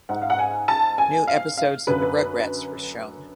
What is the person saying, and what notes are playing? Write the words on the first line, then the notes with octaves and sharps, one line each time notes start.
New episodes of the "Rugrats" were shown.
G#2 F#5
F5
F#5
G#5
A5
G#5
F5
F5
F#2 D3 B4